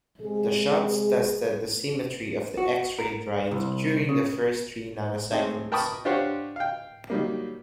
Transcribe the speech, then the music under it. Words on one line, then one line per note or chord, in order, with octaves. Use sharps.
The shots tested the symmetry of the X-ray drive during the first three nanoseconds.
C3 G#3 G#4
F#4
A#4
C2
C#3
A2 G#3 C4 D#4
A#4 G5 A5 B5 C#6 D#6
D4 F4 G4 C5 C#5 F#5
F5 G5
D#3 F#3 G3 A#3